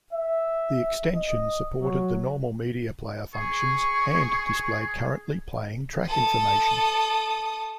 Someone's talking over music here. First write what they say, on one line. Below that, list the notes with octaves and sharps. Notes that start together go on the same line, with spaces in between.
The extension supported the normal media player functions and displayed currently playing track information.
E5
D#5
F#3
G#4 C#6
A4 D#6